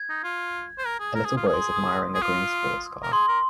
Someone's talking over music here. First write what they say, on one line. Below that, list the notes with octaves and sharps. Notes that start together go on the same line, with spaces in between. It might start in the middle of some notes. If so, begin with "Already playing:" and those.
A little boy is admiring a green sports car.
Already playing: G#6
D#4
F4
C5
A#4
G#4
A#4
G#4
D#6
F4
G#4
C6
D#6
G#4
F4
A#4
G#4 C6
A#4